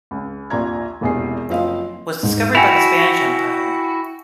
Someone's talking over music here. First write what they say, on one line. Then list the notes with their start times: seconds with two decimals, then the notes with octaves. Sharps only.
Was discovered by the Spanish empire.
0.11 C#2
0.50 A#1 D#2 F4 D5 A#5 G#6
1.01 E1 A#1 E2 C3 G#4 C7
1.49 F#1 F3 C4 D#5 F5
2.23 G#2
2.55 E4 F#4 G5 G#5 F7